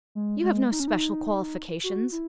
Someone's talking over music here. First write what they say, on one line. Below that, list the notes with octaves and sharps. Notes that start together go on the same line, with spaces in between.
You have no special qualifications.
G#3
G#3
D#4
C#4
D#4
F#4
E4